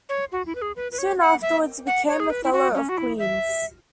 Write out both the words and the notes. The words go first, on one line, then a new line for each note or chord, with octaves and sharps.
Soon afterwards he became a Fellow of Queen's.
C#5
F#4
E4
B4
G#4
B4
B4
C#5
F#5
E5
F#5
C#5
G#4
B4
E4
F#4
C#4
F#4
E4
E5